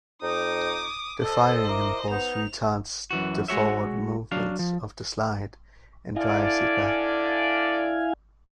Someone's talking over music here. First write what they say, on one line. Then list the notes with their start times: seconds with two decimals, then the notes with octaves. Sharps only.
The firing impulse retards the forward movement of the slide and drives it back.
0.22 F2 D#4 D6 D#6
1.22 A4 C5 D#5
1.69 E4 A#4 D6
2.11 B3 D#4 F7
3.11 F#2 E3 F#4
3.48 G#3 F#4 C#5 E5
4.32 F#3 D4 F5
4.59 F3
6.16 D3 E4 D5 F5 G#5